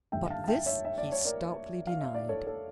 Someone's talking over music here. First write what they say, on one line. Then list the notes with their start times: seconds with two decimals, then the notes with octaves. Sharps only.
But this he stoutly denied.
0.12 A1 G2 D3 A3 E5 G5
0.30 F5 A5
0.44 A5
0.48 E5 G5
0.66 C#5 E5
0.85 E5
0.98 D5
1.12 C#5
1.25 A#4 D5
1.87 F5
2.01 E5
2.14 D5
2.29 A4 C#5
2.47 A4 C#5